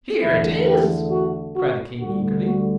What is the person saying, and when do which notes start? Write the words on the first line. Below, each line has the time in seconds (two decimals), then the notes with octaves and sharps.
"Here it is," cried the King eagerly.
0.21 E2 D3 A3 E4
0.66 G4
1.10 F#4
1.55 F#4
1.99 D2 D3 G3 F#4
2.44 F#4